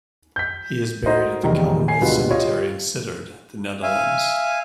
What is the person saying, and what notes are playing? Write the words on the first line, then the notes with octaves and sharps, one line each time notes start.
He is buried at the Commonwealth Cemetery in Sittard, The Netherlands.
G6 B6
D#4 F#4 A#4 C5 D#5
F1 E2 D#3 G3 A#5
G#5 C7
D2 G#2 B2 G3 F4 B4
F4 G4 C#5 D#5
E5 F5 G#5